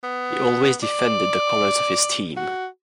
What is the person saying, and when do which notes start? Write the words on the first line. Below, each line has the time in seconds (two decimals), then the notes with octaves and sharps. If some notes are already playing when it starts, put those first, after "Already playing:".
He always defended the colors of this team.
0.04 B3
0.83 D5
2.37 F#4